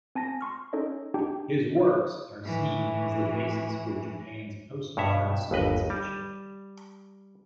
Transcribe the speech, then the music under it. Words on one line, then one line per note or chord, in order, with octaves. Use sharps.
His works are seen as the basis for Japan's postmodern science fiction.
C4 G#5 A5 A#6
C6 C#6 F6
C#4 D#4 A4 C#5 D#5
D4 D#4 G4 G5
A2 E3
G2 B2 C#5 E5
G1 D#2 B4 D#5
G3